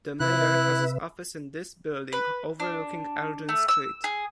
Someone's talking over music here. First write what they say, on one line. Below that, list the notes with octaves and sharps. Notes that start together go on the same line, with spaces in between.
The mayor has his office in this building, overlooking Elgin Street.
C3 E4 B4 E5 F#6
B4
D4
A3
E6
G#4